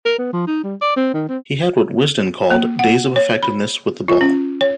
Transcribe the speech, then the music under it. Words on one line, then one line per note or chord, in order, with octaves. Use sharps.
He had what "Wisden" called "days of effectiveness with the ball".
A#4
B3
F3
D#4
G3
D5
C4
D#3
C4
A#3
F#5
C#5
B5
F4
C#4
C#5